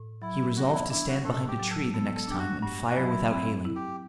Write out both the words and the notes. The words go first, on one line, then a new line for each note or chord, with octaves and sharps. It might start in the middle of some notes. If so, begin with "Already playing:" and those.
He resolved to stand behind a tree the next time and fire without hailing.
Already playing: A2
F#3 E4
B3 F#4
E4
D4 E4
F#4
A2 A4
G4
F#3
A4
B3 A4
A4
D4 G4
F#4
G2 F#4
F#4
F#3 E4
C4 E4
E4
G4